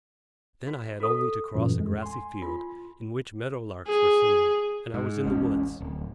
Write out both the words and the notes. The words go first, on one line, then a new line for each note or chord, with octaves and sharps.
Then I had only to cross a grassy field, in which meadow larks were singing, and I was in the woods.
F#4
F#4 A4
F#2 A#2 E3
F2 G#3
G#5 C6
F4
G#4
G#2
E1 A1 G#3 C#4
D1